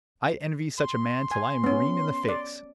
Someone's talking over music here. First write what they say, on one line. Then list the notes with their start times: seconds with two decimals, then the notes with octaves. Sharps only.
I envy such a man till I am green in the face.
0.78 C6
1.31 G#5
1.64 B3 C#4
2.28 D5